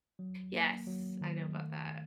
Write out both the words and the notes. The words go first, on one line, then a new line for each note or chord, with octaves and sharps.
Yes, I know about that.
F#3
A#3
F#3
D#3
A3